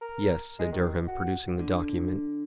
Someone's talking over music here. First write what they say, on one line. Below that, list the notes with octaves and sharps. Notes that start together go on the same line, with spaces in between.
"Yes," said Durham, producing the document.
A#4
G#3
D#3
F#4
D3